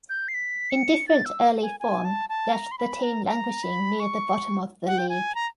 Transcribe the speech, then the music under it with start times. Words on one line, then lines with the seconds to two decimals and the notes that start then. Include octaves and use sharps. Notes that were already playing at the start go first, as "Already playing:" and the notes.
Indifferent early form left the team languishing near the bottom of the league.
0.10 G6
0.28 C7
0.34 B6
0.70 C#7
1.08 A6
1.25 E6
1.62 G#5
1.80 G#5
2.05 A5
2.29 A5
2.53 A#5
2.72 C6
2.78 B5
3.03 A#5
3.26 A#5
3.63 B5
4.00 C#6
4.87 F#5
4.98 G5
5.09 G#5
5.35 A#5